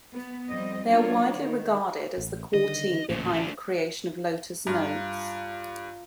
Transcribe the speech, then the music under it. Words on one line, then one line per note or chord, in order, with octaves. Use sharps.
They are widely regarded as the core team behind the creation of Lotus Notes.
B3
F2 G3 C4 D#5
F#3 A#3 B3 D4 F4 C#5
D#3
A1
D3 D#3 G3 D#5
A1 F2 A#2
A3 D4
G2 F4 F5 A#5